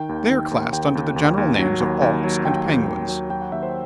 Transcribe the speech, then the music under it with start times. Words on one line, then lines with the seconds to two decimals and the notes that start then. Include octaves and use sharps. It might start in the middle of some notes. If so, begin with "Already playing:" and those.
They are classed under the general names of auks and penguins.
Already playing: D#3 G5
0.09 D#2
0.31 D#3
0.51 D#2
0.73 D#2 G5
0.95 D#2
1.16 D#2
1.38 D#2
1.59 F#3
1.80 D#2
2.02 D#2
2.24 F#3
2.45 D#2 G5
2.66 D#2
2.88 D#2
3.08 F#3
3.30 F#3 G5
3.42 F#5
3.52 D#2 E5
3.63 C5